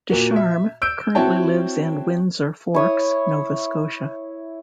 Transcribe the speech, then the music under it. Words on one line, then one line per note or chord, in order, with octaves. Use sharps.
Ducharme currently lives in Windsor Forks, Nova Scotia.
A#2 A#3 F#4
E5
E6 G6 D7
C4 E4 F#4 C#5 G5 A5
E4 C#5 D#6